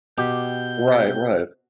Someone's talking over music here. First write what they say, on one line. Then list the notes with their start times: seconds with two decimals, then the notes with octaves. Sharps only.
Right, right.
0.18 B2 G4 G6
0.88 C3